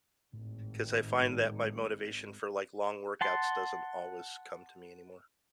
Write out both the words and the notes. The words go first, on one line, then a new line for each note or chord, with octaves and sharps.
'cause I find that my motivation for, like, long workouts doesn't always come to me anymore.
G#1 A2
F#5 A5 C6